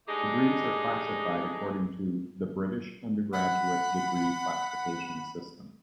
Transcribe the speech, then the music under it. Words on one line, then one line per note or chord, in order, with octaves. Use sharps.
Degrees are classified according to the British undergraduate degree classification system.
G#3 A3 D4 D#4 G4 G#4
F#5 B5